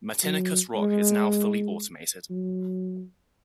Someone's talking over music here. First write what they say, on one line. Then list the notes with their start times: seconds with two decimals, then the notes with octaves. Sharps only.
Matinicus Rock is now fully automated.
0.23 F#3
0.75 G#3
2.30 F#3